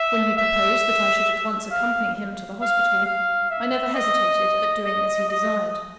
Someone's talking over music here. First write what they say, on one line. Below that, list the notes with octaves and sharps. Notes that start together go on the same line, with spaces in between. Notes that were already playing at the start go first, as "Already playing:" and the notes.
When he proposed that I should at once accompany him to the hospital, I never hesitated at doing as he desired.
Already playing: E5
E5
F5
F5
F5
E5
D#5
D#5
D#5